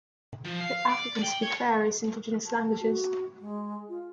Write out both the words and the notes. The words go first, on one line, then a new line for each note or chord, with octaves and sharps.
The Africans speak various indigenous languages.
F3
F5
D5
G5
C#5
A5
F#4
G#3
F4